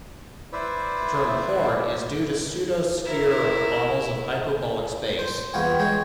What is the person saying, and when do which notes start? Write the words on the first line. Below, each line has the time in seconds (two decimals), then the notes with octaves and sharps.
The term "horn" is due to pseudosphere models of hyperbolic space.
0.53 E4 B4 C5 D5 E5
3.05 E4 A#4
5.19 C5
5.54 E2 B3 F4 C#5 G5
5.79 G#3 C#5 G5